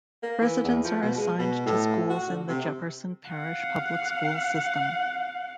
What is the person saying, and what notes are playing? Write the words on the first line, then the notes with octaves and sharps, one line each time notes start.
Residents are assigned to schools in the Jefferson Parish Public Schools system.
A#3
E3
E2
F3
B2
G#3
B2
A2
F#4
D3
C3
F5 F#5